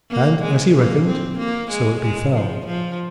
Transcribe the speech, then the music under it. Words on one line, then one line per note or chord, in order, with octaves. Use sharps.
And as he reckoned so it befell.
A#3
G#3
A#3
C4
A#3
G#3
G#3
F3
F3